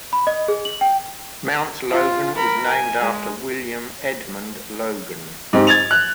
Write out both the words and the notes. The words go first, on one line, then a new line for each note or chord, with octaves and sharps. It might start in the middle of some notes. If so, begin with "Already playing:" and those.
Mount Logan is named after William Edmond Logan.
B5
D#5
G#4
F#7
G5
F4
A#4 B5
G#5
G#3
G#2 C4 G4
G#6 A6 F7
F#6